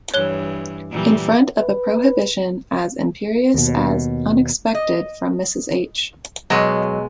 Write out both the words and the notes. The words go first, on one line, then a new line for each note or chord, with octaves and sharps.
In front of a prohibition as imperious as unexpected, from Mrs. H.
G2 E3 C#5 F#6 G7
A#2 E3 G3
B4
D#2 B2
D#5
B2 F#3 G#3 C#5